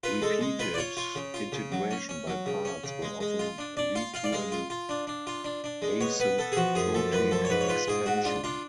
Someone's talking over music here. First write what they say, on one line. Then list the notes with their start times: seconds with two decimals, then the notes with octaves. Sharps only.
Repeated integration by parts will often lead to an asymptotic expansion.
0.03 F4 B4
0.22 G#3 A4
0.41 G#3
0.59 F4 B4
0.74 D5
0.78 F4 C#5
0.97 F4
1.15 C#3
1.34 F4
1.52 C#3
1.72 F#3
1.91 C#4
2.09 C#4
2.27 F#3
2.46 C#3
2.65 C#4
2.84 C#3
3.02 G#3
3.21 G#3
3.39 F4
3.58 D4
3.77 D4 D5
3.95 F4 F5
4.14 F4 F5
4.24 D5
4.32 G#3 F5
4.52 F4
4.70 F4
4.89 D4
5.07 D4
5.27 F4
5.44 D4
5.64 D4
5.82 G#3
6.01 B3 C#5
6.20 B3 B4
6.38 B3 A4
6.52 G#4
6.57 F3 F#4
6.75 F#2 G#4
6.94 F3 A4
7.12 F#2 B4
7.31 F3 A4
7.45 C#5
7.50 G#2 B4
7.61 C#5
7.68 F4 B4
7.88 G#2 G#4
8.06 G#2 F#4
8.25 D4 F4
8.44 D4 F4